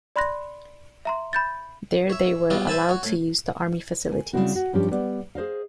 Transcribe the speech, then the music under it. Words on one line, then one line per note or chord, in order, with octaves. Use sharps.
There they were allowed to use the army facilities.
D5 B5 C6 F#6 A#6
E5 A#5 C6
B5 G6 A6
C#5 E5
F#3 G3 B3 F4
C5 E5 G#5 A5 B5
F#4 C#5
A2
G#5
C#3 G3 A#3 C4 E4 F#4
F#4
G2 F3 C#4 G4
G3 B3 D5
G#4 C5 D#5 F5